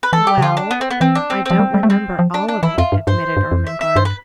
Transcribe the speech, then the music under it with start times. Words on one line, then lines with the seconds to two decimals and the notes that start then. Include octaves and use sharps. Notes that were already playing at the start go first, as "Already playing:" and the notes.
"Well, I don't remember all of it," admitted Ermengarde.
0.03 B4
0.13 E3 A4
0.27 G4
0.38 C3
0.42 D3 F4
0.57 D4
0.71 B3
0.81 C4
0.91 B3
1.01 E3 C4
1.15 D4
1.30 C4
1.46 F3 C4
1.59 G3
1.74 G3
1.83 A3
1.89 G3 C4
2.19 F3
2.34 D4
2.48 D4
2.63 E3 E4
2.78 F2 F4
2.92 G2
3.07 G2 C5
3.37 G2
3.51 F2
3.67 E5
3.81 E5
3.96 G2 C5
4.05 B4